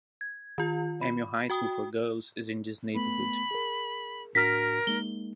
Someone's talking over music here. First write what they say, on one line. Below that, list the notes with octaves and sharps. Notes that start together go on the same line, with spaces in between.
Amil High School for Girls is in this neighborhood.
G#6
D#3 F4
B5
F#4 G5 D#6
A3 B3 B5
G#4 A#4
A2 D4 F#4 A#4 F6 A#6 B6
G#3 A#3 D#4 G7